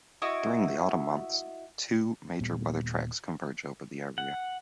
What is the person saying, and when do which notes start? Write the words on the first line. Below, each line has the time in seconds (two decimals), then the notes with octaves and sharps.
During the autumn months, two major weather tracks converge over the area.
0.22 E4 F#4 D#5 E5
2.41 D#1 A#2 G3 B3
4.18 F#5